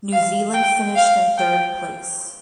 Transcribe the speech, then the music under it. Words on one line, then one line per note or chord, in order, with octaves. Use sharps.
New Zealand finished in third place.
F5
G5
F5
G5